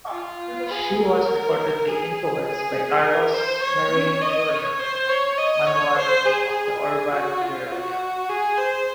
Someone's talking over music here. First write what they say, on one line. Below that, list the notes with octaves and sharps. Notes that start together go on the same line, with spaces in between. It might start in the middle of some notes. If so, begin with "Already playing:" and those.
She was reportedly influenced by Carlos Marighella's "Manual of the Urban Guerilla".
F4
G#4
A#4
G#4
G#4
A#4
C5
C#5
D#5
C#5
C5
C#5
D#5
C#5
C5
G#4
G#4
F#4
F4
F#4
G#4
C5